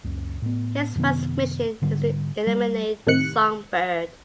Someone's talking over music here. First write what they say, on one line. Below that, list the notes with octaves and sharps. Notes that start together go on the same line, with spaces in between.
His first mission is to eliminate Songbird.
C#2 F#2
A2 B3
F#2 C3 D#3 B3
G#2 D3 G3
G3
A2 C3 D#3 F#6 C#7